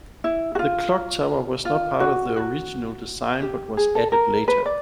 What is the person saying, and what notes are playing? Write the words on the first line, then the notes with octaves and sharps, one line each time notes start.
The clock tower was not part of the original design, but was added later.
E4
F#4
F4
F4
F#4
F#4
G4
G#4
A4
A#4
B4
D5